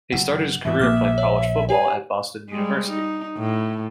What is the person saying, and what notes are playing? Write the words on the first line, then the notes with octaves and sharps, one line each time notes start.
He started his career playing college football at Boston University.
F#1 F#5
G#2 E3 E5
A#1 A#3 D6 F6
C#5
G4 C#5 G#5
G3 G#3
D#4
A2